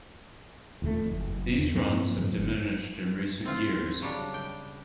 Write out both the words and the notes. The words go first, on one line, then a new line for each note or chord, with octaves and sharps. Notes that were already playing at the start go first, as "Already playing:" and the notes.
These runs have diminished in recent years.
D#1 F2 E3 A3
F#1
E2
G2 F3 A#3 C4
F2 G#2 F3 F#3
G1
C4 F4
C#3 F#3 G3 D4
G5